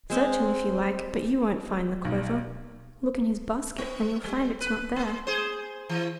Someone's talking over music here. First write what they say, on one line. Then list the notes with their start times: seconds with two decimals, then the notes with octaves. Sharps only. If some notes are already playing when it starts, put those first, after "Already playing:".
Search him, if you like, but you won't find the clover; look in his basket and you'll find it's not there.
0.10 G#3 C4
2.05 B1
3.78 B3
4.24 G3
4.61 B4
4.96 A#3
5.27 G#4 C5
5.89 E3